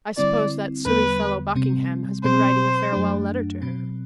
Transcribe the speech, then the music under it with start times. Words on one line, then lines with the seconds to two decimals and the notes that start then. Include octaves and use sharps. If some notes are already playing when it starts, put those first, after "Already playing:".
"I suppose that silly fellow Buckingham has been writing a farewell letter to her."
0.17 D3 G3 C4 E4 D5
0.86 E2 D3 G3 B3 B4
1.55 C3 G3 C4
2.24 B2 F#3 C4 C5
2.93 F#2 F#3 A3 D4
3.62 B2 F#3 C4